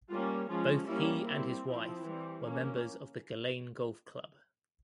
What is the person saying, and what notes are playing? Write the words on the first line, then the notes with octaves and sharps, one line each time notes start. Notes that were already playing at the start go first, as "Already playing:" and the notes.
Both he and his wife were members of the Gullane Golf Club.
G3 A#3 C#4 F4
F3 G#3 C#4 F4
G3 A#3 C#4 E4
G3 C4 E4
F3 C4 E4
E3 G3 C4
A#3 C#4